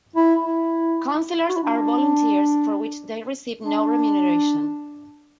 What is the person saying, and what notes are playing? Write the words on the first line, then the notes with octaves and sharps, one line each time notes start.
Councillors are volunteers for which they receive no remuneration.
E4
E4
F#4
E4
D4
D4